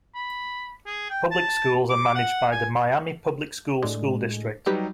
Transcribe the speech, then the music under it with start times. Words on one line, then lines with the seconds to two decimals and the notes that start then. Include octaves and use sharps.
Public schools are managed by the Miami Public Schools school district.
0.15 B5
0.86 G#4
1.10 G5
1.31 A5
1.90 D6
2.15 F#5
2.52 G#5
3.83 A2 D3 G#3
4.66 F#3 G3 D#4 G4 B4